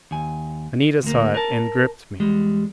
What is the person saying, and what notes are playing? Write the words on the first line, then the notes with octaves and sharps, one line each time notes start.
Anita saw it and gripped me.
D#2 G#5
D2 A#3
A#4 A5
E2 G3 G#3